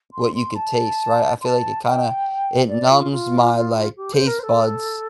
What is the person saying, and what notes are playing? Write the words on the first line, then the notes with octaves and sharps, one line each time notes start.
what you could taste, right, I feel like it kinda it numbs my, like, taste buds
C6
C6
A5
C6
A5
G5
D5
F4
F4
G4
C5
A#4
C5
A4